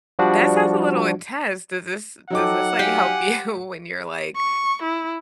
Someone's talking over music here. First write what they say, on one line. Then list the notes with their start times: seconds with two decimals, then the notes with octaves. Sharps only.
That sounds a little intense, does this does this, like, help you when you're, like,
0.19 F3 G3 D4 F#4
2.30 F#3 D#4 A4 F#5 G5 D6
2.79 G4 F5 G5 G#5
4.36 C#6
4.82 E4